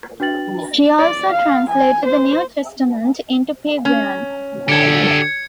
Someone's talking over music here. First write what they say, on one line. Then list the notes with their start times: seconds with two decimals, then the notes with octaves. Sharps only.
She also translated the New Testament into Peguan.
0.20 D4 F#4 B4 G5 A6 F#7
0.98 D5
1.32 F5
1.70 G#5
2.06 C5
3.85 C#4
4.69 D3 G4 A4 G#6 C#7